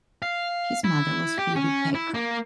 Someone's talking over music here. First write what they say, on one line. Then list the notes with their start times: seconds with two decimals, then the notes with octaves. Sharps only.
His mother was Phebe Peck.
0.22 F5
0.84 E4
1.39 G4
1.56 C#4
1.95 E4
2.14 A#3